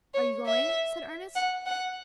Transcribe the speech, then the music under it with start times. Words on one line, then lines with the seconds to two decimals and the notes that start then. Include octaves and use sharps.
"Are you going?" said Ernest.
0.14 C#5
0.45 E5
1.36 F#5
1.66 F#5